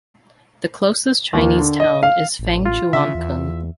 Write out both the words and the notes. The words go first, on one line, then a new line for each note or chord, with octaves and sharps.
The closest Chinese town is Fangchuancun.
D#2 A#3
D3
D#5
F5
A1
F4
C#3 E5
E2